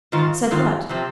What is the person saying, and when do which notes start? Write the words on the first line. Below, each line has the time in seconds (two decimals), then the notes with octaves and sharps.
"Said what?"
0.12 G#2 D#3 F4
0.51 G#2 D#3 F4
0.89 C3 F3 C4